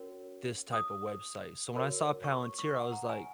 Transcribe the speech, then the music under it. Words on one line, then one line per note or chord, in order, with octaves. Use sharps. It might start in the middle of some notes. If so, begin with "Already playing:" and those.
this type of website, so when I saw Palantir, I was like
Already playing: C#4 F#4 A#4 C#5
D#6
F#4 A#4 C#5
C#6
C#6
F#5
A#5
G#5